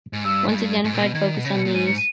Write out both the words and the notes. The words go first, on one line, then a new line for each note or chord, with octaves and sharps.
Once identified focus on these.
G#2
G2 E6
G#2
G2
G#2
A#2
A#6
B2
D#3 G#6
B2
C#3 A#6
B2
C#7
A#2
G#2 D#7
C#7
D#7